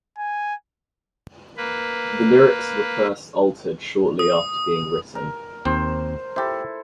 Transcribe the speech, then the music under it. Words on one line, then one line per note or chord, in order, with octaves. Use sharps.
The lyrics were first altered shortly after being written.
G#5
A#3 B4
D#6
A#4
D#2 C4 C5
E4 G4 A4 C5